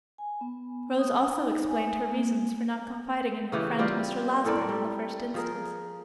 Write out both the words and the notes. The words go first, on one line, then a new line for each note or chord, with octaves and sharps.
Rose also explained her reasons for not confiding in her friend Mr. Losberne in the first instance.
G#5
B3
D#6
D#4
G#5
A#3
C#3 E3 G4
G3 C4 F4 G4
A2 A4 A#4 D5
G3
F3 G#4 A#4